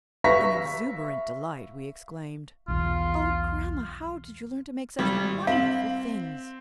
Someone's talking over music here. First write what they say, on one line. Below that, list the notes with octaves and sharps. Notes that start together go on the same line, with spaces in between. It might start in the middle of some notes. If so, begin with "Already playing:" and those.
In exuberant delight we exclaimed, "Oh, grandma, how did you learn to make such wonderful things?"
E5 F5 B5 C#6 A#6 B6
B1 E2 F4
G#1 G3
C4 F5 F#7